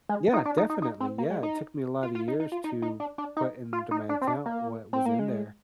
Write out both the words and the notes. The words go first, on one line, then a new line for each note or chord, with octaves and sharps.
Yeah, definitely, yeah, it took me a lotta years to put into my account what was in there,
G#3
D#4
D4
D#4
D#4
D#4
C4
A#3
G#3
D#4
F4
F4
D#4
D#4
F4
D#4
D#4
D4
D4
D#4
F4
D#4
D4
C4
D4
A#3
C4
A#3
G#3